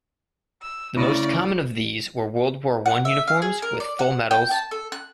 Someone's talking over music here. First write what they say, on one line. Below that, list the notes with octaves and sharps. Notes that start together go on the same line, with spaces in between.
The most common of these were World War One uniforms with full medals.
E6
C#3 A3 E4 D5 A#6
F#5
E5
F5
G#4
A#4
D5
F#5
G5
A5
A4
F#6